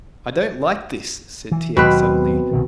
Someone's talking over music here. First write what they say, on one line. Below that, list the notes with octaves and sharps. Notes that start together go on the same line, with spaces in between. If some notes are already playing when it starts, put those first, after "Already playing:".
"I don't like this," said T. X., suddenly.
E3
D#2 B2 F#3 B3 C4 B4
C2 B2 D#3